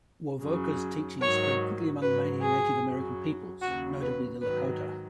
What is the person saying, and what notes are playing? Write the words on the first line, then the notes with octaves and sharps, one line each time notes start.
Wovoka's teachings spread quickly among many Native American peoples, notably the Lakota.
F#2 C#3 F#3
G#2 D#3 F#3 C#5
G#2 F#3 B4
G#4
F#2 C#3 F#3
D#2 C#3 F#3 F#4
B4
G#2 D#3 F#3 B4